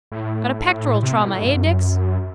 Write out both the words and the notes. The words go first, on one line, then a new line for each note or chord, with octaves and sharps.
Got a pectoral trauma, eh, Dix?
A2
C3
B2
A2
G2
F#2